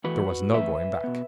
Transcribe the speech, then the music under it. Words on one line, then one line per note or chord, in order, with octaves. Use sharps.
There was no going back.
E2 E3 A3 F#4 B4
E2 E3 A3 B4 E5
B2 B3